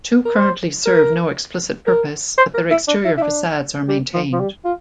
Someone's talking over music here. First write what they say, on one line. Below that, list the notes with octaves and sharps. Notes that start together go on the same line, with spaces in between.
Two currently serve no explicit purpose, but their exterior facades are maintained.
A#4
C5
A#4
A#4
C5
A#4
E4
D4
E4
E4
D4
G3
F3
F3
G3
F4